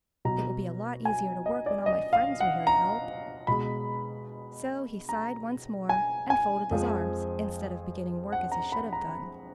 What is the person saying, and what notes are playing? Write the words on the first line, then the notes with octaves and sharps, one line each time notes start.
It will be a lot easier to work when all my friends are here to help,' So he sighed once more and folded his arms, instead of beginning work as he should have done.
B2 F#3 A#5
G#5
D#5
D5
D#5
F5
F#5
A#5
B2 G#3 B5
A#5
G#5
G#5
F2 F3 G#3
F#5
A#5
B5
A#5